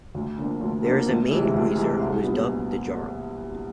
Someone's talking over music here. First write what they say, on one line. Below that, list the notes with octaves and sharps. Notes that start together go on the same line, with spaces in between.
There is a main guizer who is dubbed the "Jarl".
D2
D3 F3 A#3 D4
D2
D3 F3 A#3 D4
D2
C3 E3 G#3
D2
C3 E3 G#3
C2
A#2 F#3 B3 D4